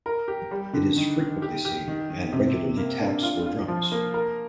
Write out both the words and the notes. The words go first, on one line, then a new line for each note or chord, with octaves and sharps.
It is frequently seen, and regularly taps or drums.
A#4
G4
G3
D3
D#3
D#3
G4
G4
D#3
D#3
C3
C3
A#3
D4
F4
F4
F3
A#3
A#4